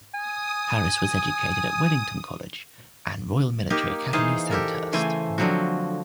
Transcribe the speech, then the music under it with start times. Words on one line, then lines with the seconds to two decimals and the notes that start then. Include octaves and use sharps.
Harries was educated at Wellington College and Royal Military Academy Sandhurst.
0.14 G#5 D#6
3.70 A#3 D#4 G4
4.13 E3 D#4 G#4 C5 D#5 F5
4.51 G4 A4 A#4
4.92 C#3 E3 A3 C5 G#5
5.38 D3 F3 F#3 C4 F#4